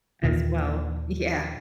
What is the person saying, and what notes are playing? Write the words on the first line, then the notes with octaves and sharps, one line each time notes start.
As well. Yeah,
D#2 A#2 D#3 E3